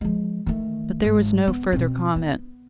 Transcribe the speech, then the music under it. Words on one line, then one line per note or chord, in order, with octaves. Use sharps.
But there was no further comment.
F3 G#3
D#3 A3
G1 G#2
B3
B2 C4
B3